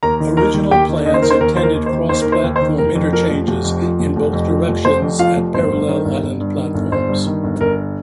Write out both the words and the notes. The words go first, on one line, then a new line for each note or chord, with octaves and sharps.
Original plans intended cross-platform interchanges in both directions at parallel island platforms.
D#2 A#4 A#5
D#3
D#2 A#4 A#5
D#3
D#2 G4 G5
D#3
D#2 D#5
C5
D#3 A#4
C5
D#2 A#4
D#3 C5
A#4
D#2
C5
D#3
D#2 C5
D#3 A#4
C5
D#2
C5
D#3
F1 A#4
F2
F3 A#4
F1
F1
F2
F3
F1
F1
F2
F3
F1
F1 C5
F2
F3 F4 F5
F1
G1 C5
G2
D#3
G1
G1
G2
D#3
G1
G1 C5
G2
D#3
G1
G1 A#4